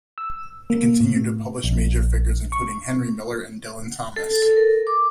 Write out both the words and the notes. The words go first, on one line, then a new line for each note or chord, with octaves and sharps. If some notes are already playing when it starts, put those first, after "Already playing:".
It continued to publish major figures, including Henry Miller and Dylan Thomas.
E6
A#3
A2
A#1
C#6
A4
A4
A#4
D6